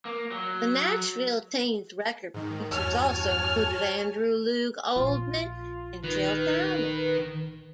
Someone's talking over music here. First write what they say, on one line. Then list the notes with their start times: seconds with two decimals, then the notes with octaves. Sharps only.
The Nashville Teens' record producers also included Andrew Loog Oldham and Shel Talmy.
0.05 A#3
0.31 F#3
2.34 G#2 D#3
2.71 E2 G2 F#4 C#5 G#5 A5 F6
4.96 A#1 F4
6.03 D#3 B4